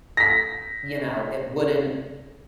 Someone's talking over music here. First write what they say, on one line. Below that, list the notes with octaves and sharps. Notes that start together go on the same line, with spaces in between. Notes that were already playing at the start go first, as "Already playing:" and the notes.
You know, it wouldn't
A#6 B6